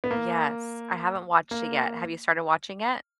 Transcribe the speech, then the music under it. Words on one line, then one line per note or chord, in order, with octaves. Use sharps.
Yes, I haven't watched it yet. Have you started watching it?
B3
A#3
A#3